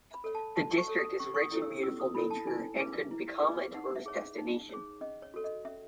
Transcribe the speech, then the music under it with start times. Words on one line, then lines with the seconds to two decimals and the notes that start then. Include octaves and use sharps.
The district is rich in beautiful nature and could become a tourist destination.
0.14 B5
0.24 A4 C#5
0.35 A5
0.56 F#4 A5
0.78 C#6
0.88 A4 C#5
0.99 D#6
1.20 C#4 C#6
1.34 C#6
1.41 D#6
1.52 E4 A4 C#5
1.62 E6
1.83 C#4 E6
2.00 D#6
2.15 E4 A4 C#5 B5
2.31 A5
2.47 E4 G#5
2.79 G#4 B4
3.11 E4
3.42 G#4 B4
3.74 D#4 F#5
3.95 E5
4.06 G#4 C#5
4.38 D#4
4.69 G#4 C#5
5.01 C#4 D#5
5.22 C#5
5.34 F#4 A4 C#5
5.44 D#5
5.65 C#4 E5